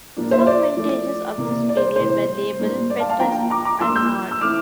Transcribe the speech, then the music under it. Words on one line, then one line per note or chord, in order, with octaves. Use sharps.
Some vintages of this period were labelled Petrus-Arnaud.
A#2 F3 A#3 D4
C5 E5
D5
F3 A3 E4
C3 E3 A#3 E4
D5
C5
C3 E3 A3 C5
A2 G3 A#3 D4
D5
F5 A5
F5 A5
F3 A#3 D4 G5 A#5
A#5 D6
A#5 D6
F3 A#3 D4 C6 E6
E6 G6
E6
E3 A3 C4 E4 D6 F6